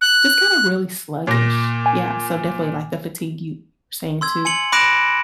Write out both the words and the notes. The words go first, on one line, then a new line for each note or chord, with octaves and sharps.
just kinda really sluggish. Yeah, so definitely, like, the fatigue you saying too.
F#6
A#2 A#6
G#5
C6 E6 G#6
G#5 C#7 F#7
B5 D6 F#6 A#6 D7 E7